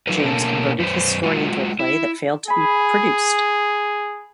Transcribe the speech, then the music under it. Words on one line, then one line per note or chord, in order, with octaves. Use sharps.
James converted his story into a play that failed to be produced.
F#3 D#4 F4 A#4 B4
B2 D3 A#3 C#4 A#4 A5
F#2 B4 C5
G#3 F4 F#4
E4
G#4 G#5 B5